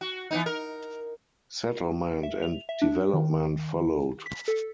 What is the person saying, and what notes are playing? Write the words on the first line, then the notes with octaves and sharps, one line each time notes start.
Settlement and development followed.
F#4
E3 B3 D#4
A#4
E5
F7
E5
D4
D#3
B6
A4